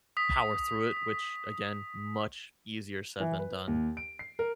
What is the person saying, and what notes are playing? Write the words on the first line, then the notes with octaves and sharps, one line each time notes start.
power through it, which again much easier said than done.
D#6 B6
E3
B4
D#2
D7
C7
A#4